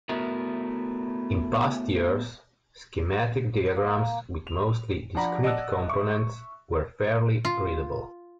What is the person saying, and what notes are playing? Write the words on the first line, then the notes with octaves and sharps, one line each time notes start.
In past years, schematic diagrams with mostly discrete components were fairly readable.
A3 B3 E4 F#4 A#4
A#3
F7
F3 D4 D5 F#5 A#5 B5
D5 D#5 F#5 A5 E6 F#6
E5 C#6
F4